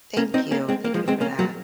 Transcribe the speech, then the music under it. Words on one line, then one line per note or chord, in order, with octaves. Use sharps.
thank you, thank you for that,
A#3 C#4
C4 D#4
A#3 C#4
G#3 C4
A#3
F3 G#3
G#3 C4
A#3 C#4
F#3 A#3